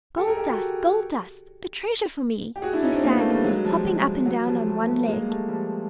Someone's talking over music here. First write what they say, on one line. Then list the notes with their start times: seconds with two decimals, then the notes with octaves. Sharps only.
"Gold dust, gold dust, a treasure for me!" he sang, hopping up and down on one leg.
0.17 G4 A4
0.27 G#4 A#4
0.37 G4 A4
0.47 F#4 G#4
2.56 G4
2.62 F#4 G#4
2.73 D4 E4
2.82 C#4 D#4
2.93 C4 D4
3.03 A#3 C4
3.17 A3 B3
3.30 G3 A3
3.44 F#3 G#3
3.64 F3 G3
3.85 F#3
4.26 F#3
4.46 F3 G3
4.67 G3 A3
4.87 A3 B3
5.08 G#3 A#3
5.28 G3 A3
5.48 F3 G3